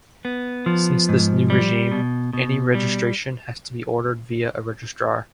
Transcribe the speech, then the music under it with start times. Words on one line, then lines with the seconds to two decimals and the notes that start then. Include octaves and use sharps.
Since this new regime, any registration has to be ordered via a registrar.
0.25 B3
0.66 F3
1.09 G#2
1.50 G3
1.92 B2
2.33 B2
2.75 G3